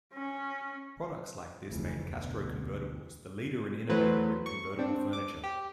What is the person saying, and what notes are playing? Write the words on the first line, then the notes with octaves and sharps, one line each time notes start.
Products like this made Castro Convertibles the leader and innovator in convertible furniture.
C#4
F1 D2 C#3 E3 F3
D2 B2 D3
E3 F#3 A3 B4 C5
C#6
C4 D4
D6
G4